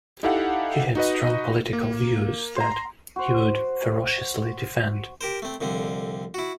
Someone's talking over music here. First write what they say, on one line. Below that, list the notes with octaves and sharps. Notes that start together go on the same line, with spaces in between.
He had strong political views that he would ferociously defend.
D#4 E4 G4 A4 F5 F#5
D#4 F#4 B4 D#5
A#3
A#5 C6
F#4 C5
G4 A#4 C5
A3 C4
C2 F2 D3 C4
E4 F#4